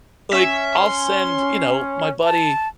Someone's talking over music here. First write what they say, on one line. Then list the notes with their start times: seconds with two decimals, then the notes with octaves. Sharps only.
like, I'll send you know, my buddy,
0.32 C#4 E5
0.77 C6
2.23 A5